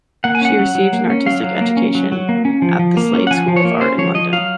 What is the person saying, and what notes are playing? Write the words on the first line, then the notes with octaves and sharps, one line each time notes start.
She received an artistic education at the Slade School of Art in London.
A#3 F#5
G#5
C#4 F#5
F#3
F#3
A#3
C#4
F#3 F5
F#3
A#3
C#4
F#3
F#3
A#3
C#4
F3
F3
A#3
C#4
F#5
F3 G#5
F3
C#5
A#3
C#4 C5
F3 C#5
F3 D#5
F#3 F5